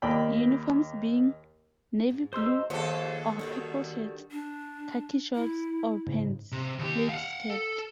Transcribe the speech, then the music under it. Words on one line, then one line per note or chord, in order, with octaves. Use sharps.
Uniforms being; navy blue or purple shirt, khaki shorts or pants, plaid skirt.
D#2 A#3 D5 D#5 G5 B5
G#2
B2 G#3 D#4 C5 C6 E6
D#2 F3 G#3 F4 A4 C5 F#5
D3 D#3 G3 F#4
D4
E4
G#2 C#3
C3
D#2 G4
F5 F#5
A4